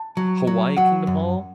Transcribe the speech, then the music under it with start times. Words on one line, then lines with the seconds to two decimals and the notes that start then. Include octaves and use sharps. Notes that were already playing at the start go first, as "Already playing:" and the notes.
Hawaii Kingdom Hall?
Already playing: A5
0.17 F#3
0.47 F#3
0.77 F#3 F#5
1.07 F#2